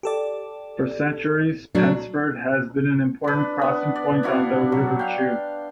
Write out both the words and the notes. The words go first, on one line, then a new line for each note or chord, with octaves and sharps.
For centuries Pensford has been an important crossing point on the River Chew.
G4 A4 D5
A#2 F#3 A3 D4
D4 B4
B3
D5
D4 E4 F#4 F5
F#3
F5 G5